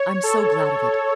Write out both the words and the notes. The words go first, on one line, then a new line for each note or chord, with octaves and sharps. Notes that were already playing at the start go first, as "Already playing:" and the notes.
I'm so glad of it.
Already playing: C#5
A4